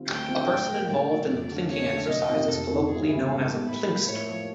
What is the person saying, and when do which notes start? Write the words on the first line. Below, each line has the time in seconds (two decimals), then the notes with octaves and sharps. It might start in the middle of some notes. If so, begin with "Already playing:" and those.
A person involving in the plinking exercise is colloquially known as a "plinkster".
Already playing: D3 G3 C4 F4
0.08 D2 G5
0.28 D3 G3 C4 F4
0.48 A2
0.69 F#3 A#3
0.88 A2 D5
1.08 F#3 A#3
1.28 F2
1.49 D3 F#3 A3
1.69 F2 C#5
1.89 D3 F#3 A3
2.08 F1 D#5
2.29 F2 C3 D#3
2.48 F1 A4
2.68 F2 C3 D#3
2.89 G#2 G#4
3.09 E3 G3 B3
3.29 G#2 A4
3.49 E3 G3 B3
3.68 A2 B4
3.89 F3 A#3
4.08 A2 C#5
4.29 F3 A#3